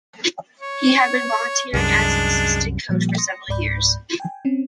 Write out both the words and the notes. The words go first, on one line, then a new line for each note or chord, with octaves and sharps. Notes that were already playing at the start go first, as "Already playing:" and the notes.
He had been volunteering as an assistant coach for several years.
C#5
C2 F#2 G#3 D4
A#2 F3 G3 A#3
C6 D#6 A#6 C#7
C#2 G#2 D5 B5 G6
G5 G#5
C4 C#4